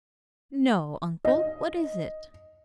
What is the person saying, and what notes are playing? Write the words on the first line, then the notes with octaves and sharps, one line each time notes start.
"No, uncle, what is it?"
D#5